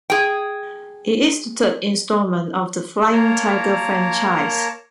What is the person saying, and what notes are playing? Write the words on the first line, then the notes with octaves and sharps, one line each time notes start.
It is the third installment of the "Flying Tiger" franchise.
G#4 G5
A#3 A#4 C#5 A5 A#5